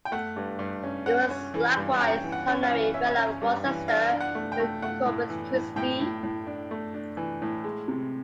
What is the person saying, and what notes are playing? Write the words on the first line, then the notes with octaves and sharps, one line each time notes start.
He was likewise honorary fellow of Worcester and Corpus Christi.
G5
A3 F#5
G2
G2
C#4
C#4 F#5
C#4
E3
G2
C#4 G5
E3
F#5
C#4
F5
E3
C#4 E5
C#4
G2
E3
D4 F5
D4
F#5
A3
G5
A3
A3 F#5
A2
E3
A2
A2 G5
A2
A2
D4
A3
D4
E3
A2
G#3
C3